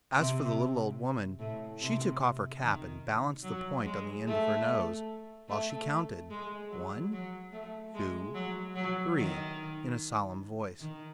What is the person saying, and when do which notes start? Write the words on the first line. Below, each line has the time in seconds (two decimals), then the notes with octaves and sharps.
As for the little old woman, she took off her cap and balanced the point on the end of her nose, while she counted "One, two, three" in a solemn voice.
0.16 C3
1.39 A2
1.80 C3
2.62 D#3
3.43 F#3
3.85 G#3
4.26 A3
5.48 A3
6.30 G#3
6.71 F#3
7.12 F#3
7.52 A3
7.94 G#3
8.34 F#3
8.75 F#3
9.17 D#3
10.80 D#3